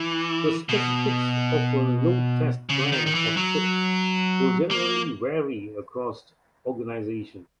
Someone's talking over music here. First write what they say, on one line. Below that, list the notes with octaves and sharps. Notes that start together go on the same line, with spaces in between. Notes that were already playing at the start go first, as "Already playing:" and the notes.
The specifics of a load test plan or script will generally vary across organizations.
Already playing: E3
B2
C#3
D#3
D#3
E3
F#3
A#3